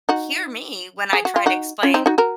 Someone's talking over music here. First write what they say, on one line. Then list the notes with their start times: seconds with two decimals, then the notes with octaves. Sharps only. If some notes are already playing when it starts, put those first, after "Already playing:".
hear me when I try to explain
0.09 D#4 F#4
1.13 G#4
1.25 F#4
1.36 F4
1.46 D#4 F#4
1.83 C#4 F4
1.94 C4 D#4
2.06 D#4 F#4
2.18 F#4 A#4